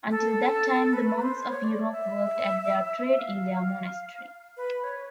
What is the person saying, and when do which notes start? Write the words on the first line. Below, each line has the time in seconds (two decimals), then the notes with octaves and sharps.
Until that time the monks of Europe worked at their trade in their monastery.
0.11 A4
0.93 B4
1.22 C5
1.49 C#5
1.64 D5
1.92 E5
3.17 F5
4.57 B4
4.84 C#5